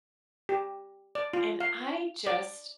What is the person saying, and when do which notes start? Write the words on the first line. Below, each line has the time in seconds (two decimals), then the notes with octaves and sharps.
and I just
0.49 G4
1.15 D5
1.33 F4
1.60 F5
2.27 D5